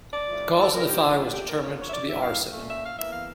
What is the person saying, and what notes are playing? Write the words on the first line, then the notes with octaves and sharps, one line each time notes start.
The cause of the fire was determined to be arson.
D5
G2 F3 A3 E4
A4
C#3 F3 A3 E4 A#4
G4
F4
F2 D3 F3 A3 D4 F4
G4
A#4
D3 F3 A#3 C#5
C#5
E5
D5
G2 E3 A#3 E4 E5
F5
A#2 A3 C#4
E5
F5
E2 E3 A#3 E5
F5